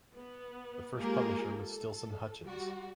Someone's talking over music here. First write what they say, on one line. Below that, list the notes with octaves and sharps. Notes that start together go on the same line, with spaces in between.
The first publisher was Stilson Hutchins.
B3
G#3 A#3 F4 G4 G#4 A#4
A4
G3 F#4